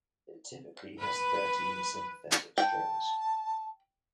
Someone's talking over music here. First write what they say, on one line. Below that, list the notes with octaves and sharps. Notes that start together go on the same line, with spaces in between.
It typically has thirteen sympathetic strings.
B4
G5 A5